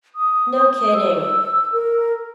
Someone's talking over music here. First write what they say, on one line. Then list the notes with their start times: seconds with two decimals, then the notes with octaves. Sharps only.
No kidding.
0.15 D#6
0.93 E6
1.73 A#4